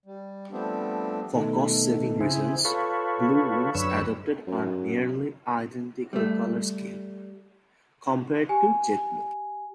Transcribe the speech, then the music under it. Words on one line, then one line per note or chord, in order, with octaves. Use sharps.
For cost-saving reasons, Blue Wings adopted a nearly identical color scheme compared to JetBlue.
G3
F3 G3 A3 B3 C4 D4
B2 D#3 A3
C#3 C4 E4 G#4
F4 A4 B4 C#5
F#2 D3 B4 C#5 E6
F#2
G3 A3
G4 G#5